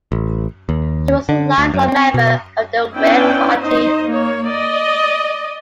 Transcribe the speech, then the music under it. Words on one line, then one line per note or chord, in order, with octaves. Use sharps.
He was a lifelong member of the Whig Party.
A1
D#2
D3
D2
F#2
C4
B2
B3 C#4 D4 E4 B4 G5
D#4 C5 D#5
A#3 C#5
D5 D#5